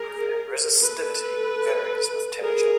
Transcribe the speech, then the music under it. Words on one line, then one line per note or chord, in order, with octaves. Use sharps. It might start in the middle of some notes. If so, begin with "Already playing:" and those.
Resistivity varies with temperature.
Already playing: G#4 A#4
A4 B4
G#4 A#4